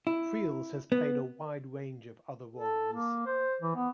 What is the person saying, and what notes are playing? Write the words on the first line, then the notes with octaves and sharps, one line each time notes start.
Friels has played a wide range of other roles.
E4
B3
A4
A#3
C5
E3
B3